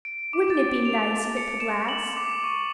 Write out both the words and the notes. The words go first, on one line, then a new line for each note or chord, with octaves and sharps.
Wouldn't it be nice if it could last?
D7
D6
A6
F7
C#7
E7
F#7
D6
C#6